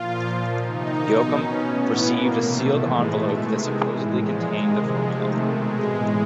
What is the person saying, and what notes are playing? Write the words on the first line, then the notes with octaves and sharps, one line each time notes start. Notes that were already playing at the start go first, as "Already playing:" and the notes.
Yoakum received a sealed envelope that supposedly contained the formula.
Already playing: A#2 F3 F4
A#2 F3
C3 D#3 D#4
B2
B2 C#4
A2 E3 B3
B2 A#3
C3 D#3 A3
A2 E3 G#3
B2 A3
C3 D#3 G#3
A2 E3
A#2 F3 G#3
C3 D#3
C3 F3
C3 D#3 A3
B2 G#3
A2 E3